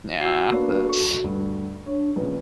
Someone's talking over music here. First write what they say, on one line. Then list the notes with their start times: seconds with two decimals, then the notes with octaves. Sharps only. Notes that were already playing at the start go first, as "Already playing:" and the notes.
yeah, that's
0.21 F#4 E6 C7
0.51 A#3 B3 D4
0.87 A4 C#6
1.24 D2 G2
1.86 D4 C#5
2.16 A#1 C#3 B4